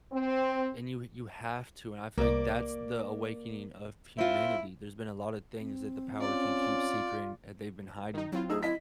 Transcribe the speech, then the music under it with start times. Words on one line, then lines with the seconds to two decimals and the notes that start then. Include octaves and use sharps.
And you you have to, and I feel like that's the awakening of humanity. There's been a lotta things that the power can keep secret, and that they've been hiding.
0.13 C4
2.18 C2 A#3 D5
4.18 C4 E4 F4
5.60 C4
6.20 C#4 F4 D5
8.14 D#3 D#4
8.32 F#3 C4 E4 F4
8.50 D2 D#4 G#4 E6
8.63 E4 D#5 B6